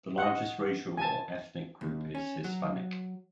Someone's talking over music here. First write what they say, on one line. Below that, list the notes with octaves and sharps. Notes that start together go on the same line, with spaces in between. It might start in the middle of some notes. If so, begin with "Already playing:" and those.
The largest racial or ethnic group is Hispanic.
D#5 F#5
G#5 A5
D#2
C#4
F#3